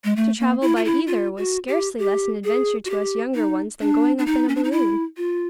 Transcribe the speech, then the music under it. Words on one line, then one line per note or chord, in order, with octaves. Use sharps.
To travel by either was scarcely less an adventure to us younger ones than going up in a balloon.
G#3
A3
A#3
E4
F4
E4
F4
F#4
G4
G4
G#4
F#4
G4
D#4
D4
D4
D#4
C#4
D4
D#4
E4
F4